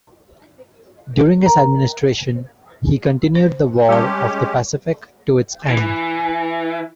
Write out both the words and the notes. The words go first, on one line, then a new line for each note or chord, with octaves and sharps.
During his administration, he continued the War of the Pacific to its end.
A#4
C5
G3 G#3 C#4 G4 A5
E3